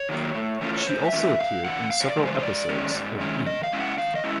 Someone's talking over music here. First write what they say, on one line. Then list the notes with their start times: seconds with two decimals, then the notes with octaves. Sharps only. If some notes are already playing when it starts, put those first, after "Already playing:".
She also appeared in several episodes of E!
Already playing: C#5
0.09 D#3 F#3 A#3
0.35 A2
0.61 E3 A3 C#4 F4
0.77 C#5
0.87 A2 C5
1.05 E5
1.12 E3 A3 C#4 F4
1.21 E5
1.39 F#2 F5
1.65 C#3 E3 F#5
1.90 F#2 F5
2.00 C#5
2.08 D5
2.17 C#3 E3 G#3
2.25 C5
2.42 G#2 D5
2.69 D#3 G#3 C#4
2.95 G#2
3.20 D#3 G#3 C#4
3.46 D#3 D#5
3.63 F5
3.72 G#3 C#4 E4
3.80 F#5
3.98 D#3 F5
4.15 D#5
4.24 G#3 C#4 E4